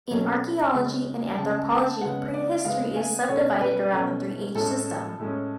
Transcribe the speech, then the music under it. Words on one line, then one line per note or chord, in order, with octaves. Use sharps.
In archaeology and anthropology, prehistory is subdivided around the three-age system.
B2 F#3 A3 C#4
C#3 G#3 C#4
C#3 G#3 C#4 A5
A5
C#3 G#3 B3 F#5
D5
C#3 G#3 B3 F5
G#5
B2 A3 C#4 C#5
B4
B2 A3 C#4
A2 G#3 C#4 A4
A2 G#3 C#4